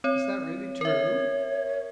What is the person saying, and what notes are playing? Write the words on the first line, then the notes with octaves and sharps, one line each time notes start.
"Is that really true?"
C4 C#5
A#4 C#5 E5